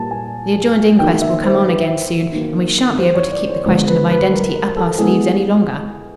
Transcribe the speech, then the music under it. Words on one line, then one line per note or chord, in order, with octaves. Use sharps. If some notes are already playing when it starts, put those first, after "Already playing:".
"The adjourned inquest will come on again soon, and we shan't be able to keep the question of identity up our sleeves any longer."
Already playing: A#2 G3 A#3 A5
G#5
D#3 F#3 A#3 G5
E5
C5
B4
D#3 F#3 A#3
C5
C#5
D5
C#5
D3 F3 G#3 B3 C5
B4
B4
A#4
A#4
A4
E3 G#3 B3 G#4